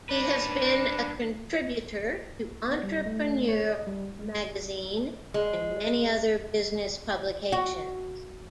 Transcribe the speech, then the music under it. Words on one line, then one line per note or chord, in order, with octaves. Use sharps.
He has been a contributor to "Entrepreneur Magazine," and many other business publications.
D4 B4
B3
G3
A3
C#5
D#5
G3
G#3
G#3
F#4